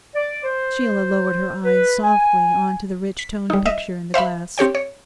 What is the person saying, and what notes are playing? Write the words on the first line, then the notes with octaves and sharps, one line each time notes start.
Sheila lowered her eyes softly on to the rich-toned picture in the glass.
D5
C5
B4
G#5
B6
G3 D#4
D#5 E5
C5 E5 F5 B5
C4 G4 C#5 G5
C#5